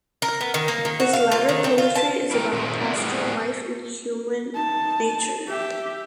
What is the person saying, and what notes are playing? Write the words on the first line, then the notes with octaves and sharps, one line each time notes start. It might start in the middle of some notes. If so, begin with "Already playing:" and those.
His latter poetry is about pastoral life and human nature.
A#4
B3
D#3
A#3
D#3
F#4
F5
F4
D#3
C4
F4
A5
E4 A#4 G5 A#5
A#2 D#3 G#3 A3 C4
B3 D4 E4 F4 D5
A2 G3 B3 G#4
D#4 A5
G4 E5